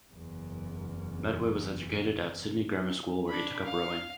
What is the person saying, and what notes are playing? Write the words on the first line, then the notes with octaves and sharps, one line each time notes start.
Medway was educated at Sydney Grammar School where he took up rowing.
F#1 E2
D4 B5
F5